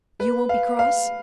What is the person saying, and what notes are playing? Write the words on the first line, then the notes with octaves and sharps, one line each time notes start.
"You won't be cross?"
B4
F5
F5